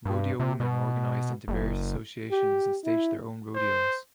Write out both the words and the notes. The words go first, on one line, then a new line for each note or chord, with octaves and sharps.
Rodeo women organized into various associations and staged their own rodeos.
G2
C3
B2
F#1
G4
E4
C5